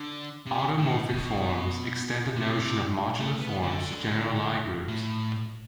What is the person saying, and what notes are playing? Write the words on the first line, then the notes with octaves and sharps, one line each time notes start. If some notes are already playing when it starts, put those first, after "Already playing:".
Automorphic forms extend the notion of modular forms to general Lie groups.
Already playing: D3
C3
A2
B2
C3
A3
B3
D3
A2